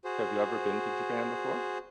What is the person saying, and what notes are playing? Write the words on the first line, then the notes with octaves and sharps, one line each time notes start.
Have you ever been to Japan before?
F#4 G#4 C5